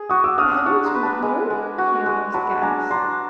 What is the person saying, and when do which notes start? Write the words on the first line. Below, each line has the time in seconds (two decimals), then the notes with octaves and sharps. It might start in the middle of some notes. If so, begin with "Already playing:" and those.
"Bad news from home?" she almost gasped.
Already playing: G#4
0.10 F#4 C#6 D#6
0.24 D6 E6
0.38 D4 D#6 F6
0.52 D6 E6
0.66 D4 C#6 D#6
0.85 A#5 C6
0.94 B4
1.03 A5 B5
1.22 G#3
1.50 G#3
1.78 F#4
2.06 G#3
2.34 F#3 A5 B5
2.62 D4 G#5 A#5
2.91 D4 A#5 C6